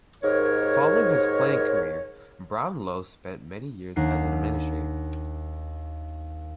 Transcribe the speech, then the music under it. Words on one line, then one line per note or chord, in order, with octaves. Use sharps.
Following his playing career, Brownlow spent many years as an administrator.
D#2 G#2 A#4 C#5
D#2 D4 F#5 C7